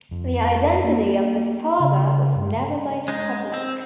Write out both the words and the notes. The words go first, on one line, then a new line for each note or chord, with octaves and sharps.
The identity of his father was never made public.
F2
A#3
C#3
G2
G#3 D#4
C4